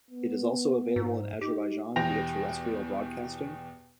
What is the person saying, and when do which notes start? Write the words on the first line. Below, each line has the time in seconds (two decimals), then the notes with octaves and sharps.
It is also available in Azerbaijan via terrestrial broadcasting.
0.11 B3
0.96 G#2
1.41 D#4 G4
1.96 E2 B2 G4 G5 A#6 F7